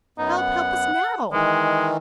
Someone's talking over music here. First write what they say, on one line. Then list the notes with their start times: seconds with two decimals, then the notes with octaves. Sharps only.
Help, help us now!'
0.18 F#2 B3 D#4
0.38 F#5
1.33 D#3 E3 G#3